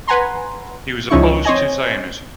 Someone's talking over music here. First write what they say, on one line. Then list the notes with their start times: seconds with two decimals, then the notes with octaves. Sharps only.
He was opposed to Zionism.
0.07 B4 F#5 G#5 A#5 C6
1.10 C#2 F3 C#4 D#4 E4 C#6
1.44 C4 C5 C#5 D#5 G#5 A#6